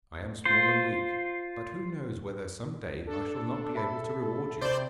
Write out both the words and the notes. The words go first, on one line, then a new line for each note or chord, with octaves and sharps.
I am small and weak, but who knows whether some day I shall not be able to reward you.'
F4 C5
D4 A4
E5 A5 B5
A4
C3 C5 D5 G6